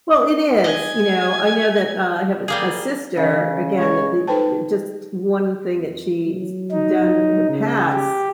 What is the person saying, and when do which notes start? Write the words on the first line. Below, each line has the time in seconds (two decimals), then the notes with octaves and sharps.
Well, it is, you know, I know that, uh I have a sister again, that the just one thing that she's done in the past
0.64 D#5 G#5 G#6
2.48 G3 A#3 G#4
3.17 C#3 E3 E5 F5
3.77 G#3 C#5
4.28 D#4 A4 B4 C5 G5 A5
5.74 F2
6.25 F#3
6.71 D#4
7.49 C#3
7.93 G4